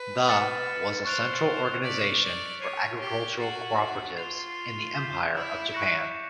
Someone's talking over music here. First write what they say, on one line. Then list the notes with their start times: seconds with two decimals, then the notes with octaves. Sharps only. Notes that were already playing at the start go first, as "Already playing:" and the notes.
The was a central organization for agricultural cooperatives in the Empire of Japan.
Already playing: B4
0.27 F6 A6 C#7 E7
1.05 C5 C#6 F#6 A6 D7 F7
1.83 D5 F#6 B6 D7 F7
2.22 D5
2.61 C#5 G#6 C7 D#7
3.00 G4
3.39 F#4 A6 C7 E7
4.17 F4 A6 C7 F7
4.95 D6 G6 B6 E7
5.34 E4
5.73 C#6 F#6 A#6 C#7 E7